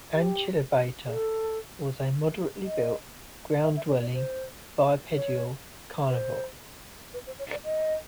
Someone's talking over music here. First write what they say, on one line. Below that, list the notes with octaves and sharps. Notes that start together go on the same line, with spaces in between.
"Achillobator" was a moderately-built, ground-dwelling, bipedal carnivore.
G4
G#4
A4
D#5
E5
E5
D5
D5
C5
C#5
B4
C5
B4
C5
C#5
D5
D#5